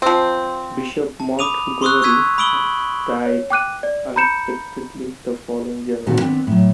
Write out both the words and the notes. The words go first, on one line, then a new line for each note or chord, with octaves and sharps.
Bishop Montgomery died unexpectedly the following January.
F3 C4
A5
B5 D6 D#6 D#7 F7
C6 C#6 D#6 E6 F#6
C#6 E6 F#6 G#6 B6 D#7
B5 D#6 E6 D7 F#7 G7
C#5
G5 D6 F#6 D#7
D5
A#5 B5 G6 C#7 E7
D2 A#2 D#3 C4 F#4 A5
D#3 B3 C4 D4
A2 F#3